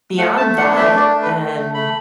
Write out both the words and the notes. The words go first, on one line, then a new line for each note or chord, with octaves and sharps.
beyond that, um,
A3 F#5
A3 A5
D4 F#5
A3 E5
D4 D5
A3
B4
A3
A3
A3 B5